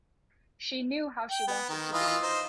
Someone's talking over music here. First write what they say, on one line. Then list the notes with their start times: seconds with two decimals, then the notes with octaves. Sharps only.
She knew how she wanted to be.
1.31 G5
1.48 B3
1.69 D#3
1.93 E3 F4 D#5
2.22 D#4 C5